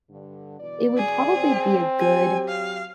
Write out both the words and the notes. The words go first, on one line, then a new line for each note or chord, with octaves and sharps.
it would probably be a good
G2 D3
B2 E3 D5
G#4
C4
F#3 G4 G#5
F5